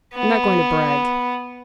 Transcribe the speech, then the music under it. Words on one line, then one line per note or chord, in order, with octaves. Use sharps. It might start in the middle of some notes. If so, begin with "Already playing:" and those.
I'm not going to brag.
B3